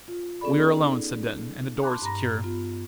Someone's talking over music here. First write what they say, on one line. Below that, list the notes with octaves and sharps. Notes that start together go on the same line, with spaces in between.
"We are alone," said Denton, "and the door is secure."
F4
B3 C#4 G#4 A4 D5 B5
D#4
A5 B5 C6 D6 F#6
G2 A#5 B5 A#6
B3 F4